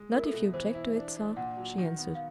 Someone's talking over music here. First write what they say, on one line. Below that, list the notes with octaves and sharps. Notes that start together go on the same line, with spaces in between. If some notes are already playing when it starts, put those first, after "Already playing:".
"Not if you object to it, sir," she answered.
Already playing: G#3
E4 A#4
A4
B2
E3 C5
E4
D4
D4
A#2 F#5
F#3
D#3
B3
F5